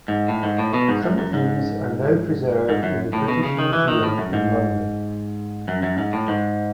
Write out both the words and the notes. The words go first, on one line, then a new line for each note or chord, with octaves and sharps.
Some of these are now preserved in the British Museum in London.
G#2
A2
G#2
A2
B2
G#2
F#2
F#2
G#2
G#2
F#2
A2
B2
C#3
D#3
E3
D#3
A2
F#2
G#2
F#2
F#2
G#2
A2
G#2